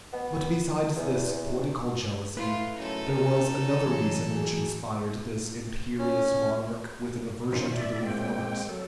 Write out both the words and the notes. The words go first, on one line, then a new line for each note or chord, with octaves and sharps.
But besides this political jealousy, there was another reason which inspired this imperious monarch with an aversion to the reformers.
B3
E2
E2
A3 E4 F4 B4
F#2 D#4 A4
C#4 G4 A#4
C#3 E3 F#3
G#4
C#4
D#3 F3 C#4 D#4 F4
D5 E5
G#3 A#3 C4 G5
F#3 A4